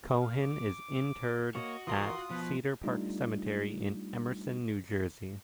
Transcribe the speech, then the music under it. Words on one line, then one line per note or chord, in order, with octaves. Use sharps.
Cohen is interred at Cedar Park Cemetery, in Emerson, New Jersey.
F5
D6
A#3 F#4 C#5 D#5
E3 F4 A#4 C6 C#6 D#6
B2 F3 B4
G3 A3 D4 D#4 F4